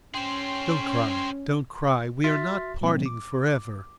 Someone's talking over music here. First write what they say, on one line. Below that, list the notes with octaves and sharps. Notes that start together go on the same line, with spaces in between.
Don't cry, don't cry: we are not parting for ever!
C#4 G#4 C5 G5 C6
F#4 E5 C6 F6 A6 B6
A#2 E3 F3 G3 A#3 C4
D6